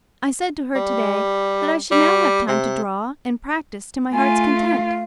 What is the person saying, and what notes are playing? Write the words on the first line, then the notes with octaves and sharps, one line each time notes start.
I said to her today that I should now have time to draw and practice to my heart's content.
G3
G3
C3
A3 F4 G#5
F5